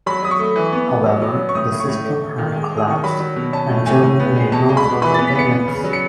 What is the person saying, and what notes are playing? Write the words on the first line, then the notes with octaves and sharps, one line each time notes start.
However, the system had collapsed, and Germany made no further payments.
F#3 B5
F#3 D#6
C#6
A3
E3
B3
B3
F#3
F#3
C#4
C#6
A2 D#6
A2
C#6
A2
A3
A3
D#3
G#3
G#3
D#6
D#3 C#6
F#3 B5
F#3
B2
C#4 A5
A2
A2 G#5
A2
B3
G#3
B2 A5
G#3
B5
G#3
E3 B5
B3 A6
B6
B3 C#7
B3
C#3
F#3
C#7